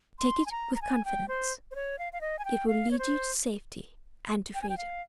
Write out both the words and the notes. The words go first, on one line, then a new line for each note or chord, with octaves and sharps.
Take it with confidence--it will lead you to safety and to freedom.
C6
G#5
A#5
A#5
G#5
G5
C5
C5
C#5
F5
F5
D#5
G#5
G5
F5
C#5
C5
G5
G#5
G5
F5